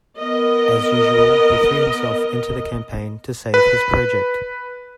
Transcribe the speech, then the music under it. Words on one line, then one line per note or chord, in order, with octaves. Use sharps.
As usual he threw himself into the campaign to save his project.
B3 A#4 D#5
B4